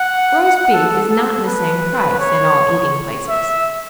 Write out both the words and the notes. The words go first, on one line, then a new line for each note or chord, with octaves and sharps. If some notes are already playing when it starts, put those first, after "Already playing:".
Roast beef is not the same price in all eating-places.
Already playing: F#5
A4
A4
B4
C#5
E5